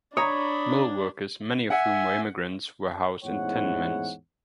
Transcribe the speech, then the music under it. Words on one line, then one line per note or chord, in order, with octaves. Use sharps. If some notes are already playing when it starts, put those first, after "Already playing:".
Mill workers, many of whom were immigrants, were housed in tenements.
D4 C#5 A#5 B5 D#6
E5 F#5 G#5 C#7
A1 E2 G#2 E4 C#5 F#5